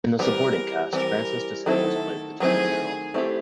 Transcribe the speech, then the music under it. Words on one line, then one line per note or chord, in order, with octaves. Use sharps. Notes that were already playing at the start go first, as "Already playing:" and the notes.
In the supporting cast, Francis DeSales played Lieutenant Farrell.
E3 G3 C4 A#4
E3 G3 C4 A#4
D#3 F#3 A3 C4 E4 A4
D#3 F#3 A3 C4 E4 G#4
A3 C4 E4 G4